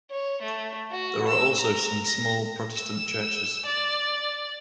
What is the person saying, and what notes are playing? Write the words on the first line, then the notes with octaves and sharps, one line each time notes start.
There are also some small Protestant Churches.
C#5
A3
F#4
E6
A#5
A#6
E6
D5